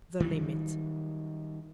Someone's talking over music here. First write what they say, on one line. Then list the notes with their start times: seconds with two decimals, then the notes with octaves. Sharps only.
The limit.
0.20 D#3 F#3 G3